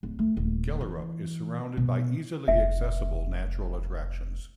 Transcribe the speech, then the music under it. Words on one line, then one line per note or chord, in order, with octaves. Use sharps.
Gellerup is surrounded by easily accessible natural attractions.
D1
A3
D#1
E3
B2
F1 E5